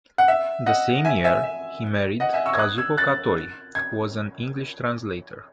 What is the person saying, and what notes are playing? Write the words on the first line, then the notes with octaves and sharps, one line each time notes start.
The same year, he married Kazuko Katori, who was an English translator.
F#5
E5
D#5 F#5
E5 G#5
E5 G#5
E5
D#5 F#5
E5 G#5
C#6 E6
G#6
D#6 F#6
E6 G#6
F#6 A6
G#6